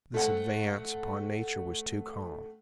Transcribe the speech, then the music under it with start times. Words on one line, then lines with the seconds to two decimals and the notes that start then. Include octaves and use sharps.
This advance upon Nature was too calm.
0.14 A3 C4 A4 F#5